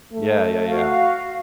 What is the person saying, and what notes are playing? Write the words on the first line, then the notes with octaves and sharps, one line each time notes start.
Yeah, yeah, yeah.
A3
F#4 F5